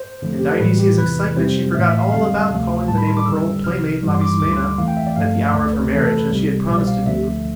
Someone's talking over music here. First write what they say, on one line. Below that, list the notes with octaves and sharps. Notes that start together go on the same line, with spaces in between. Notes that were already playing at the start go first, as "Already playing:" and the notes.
In Dionysia's excitement she forgot all about calling the name of her old playmate, Labismena, at the hour of her marriage as she had promised to do.
Already playing: C5
F2 D3 F3 A3
G4
A4
A2 E3 G3 B4
G4
E2 C3 E3 B4
F2 C3 G3 C5
A2 E3 A3 E5
E5
F5
F2 D3 G3 F5
D2 C3 F3 A3
A2 G3 A5
B5
C6
D6
F2 D3 G3 E6
C2 C3 F3 F6
G2 E3 G3
C6
D6
D2 D3 G3 D6
C6
F2 E3 A3 F5
G5
E5
D5
G2 F3 A3 F5
D2 D3 A3 D5
B4
F2 C3 E3 A3 A4
A4
B4
C2 C3 G3
C2 B2 G3 C5
D5
F5
D2 D3 F3 A3 E5